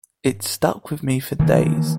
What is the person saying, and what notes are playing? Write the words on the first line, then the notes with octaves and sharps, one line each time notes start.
It stuck with me for days.
D#3 E3 A#3